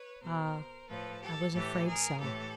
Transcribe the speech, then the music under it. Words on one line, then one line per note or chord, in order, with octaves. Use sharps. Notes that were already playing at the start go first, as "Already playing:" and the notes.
Ah, I was afraid so.
Already playing: B4 C#5
B2 A#4 C5
A2 F3 A4 B4
G4 A4
A2 E3 G4 A4
G#4 A#4
A2 E3 G4 A4